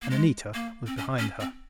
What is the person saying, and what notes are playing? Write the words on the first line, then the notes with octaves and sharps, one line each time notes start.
And Anita was behind her.
A#3
G#3
A#3
C4
C#4
C#4
C4